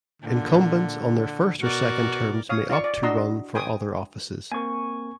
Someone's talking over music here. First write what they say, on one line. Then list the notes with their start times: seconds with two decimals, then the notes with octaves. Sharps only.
Incumbents on their first or second terms may opt to run for other offices.
0.22 A#2 D3
1.61 B2 F#4 A#4 D5
2.49 C#5 F5 D#6
2.70 F4 D5 F5 C#6
2.84 D5
3.03 D4 F#4 D#5 A#5 C6 E6
3.55 G5 G#5 D#6
4.52 A#3 C4 A#4 G#5 C#6